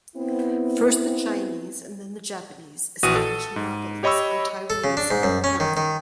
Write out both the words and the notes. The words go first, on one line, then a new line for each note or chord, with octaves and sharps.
First the Chinese and then the Japanese established monopolies on Taiwanese camphor.
B3 C4 E4
A#1 E3 F#4 D#6 D#7
A4
G#2
G4 C#5 D#5 B5 C#6 E6
A4
C#3
D4
G#2
F#2
C#4
D#3
D#3